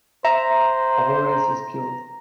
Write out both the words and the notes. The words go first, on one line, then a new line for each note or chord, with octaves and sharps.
Alvarez is killed.
C5 E5 A#5